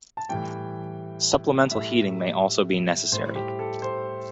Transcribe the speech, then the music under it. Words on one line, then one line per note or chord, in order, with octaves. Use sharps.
Supplemental heating may also be necessary.
A5
A2 E3 G3 G5
A2 G3 E5
A2 G3 C5
G4
A4
C5